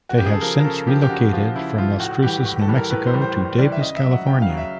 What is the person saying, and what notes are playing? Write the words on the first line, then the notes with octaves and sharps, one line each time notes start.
They have since relocated from Las Cruces, New Mexico to Davis, California.
F#4
C#3 G4
G#4
A4
F3 A#4
A#4
C#3 A4
F3 G4
G4
C#3 F#4
F3 F4
C#3 E4
F3 F4
A2 F#4
E3 G3 G4
A2
A4
E3 G3
A#4
A2 B4
C5
E3 G3
C5
A2
E3 G3 D5
E5
C#3 D#5
E5
F#3
F#5
C#3 G5
F5
F#3
E5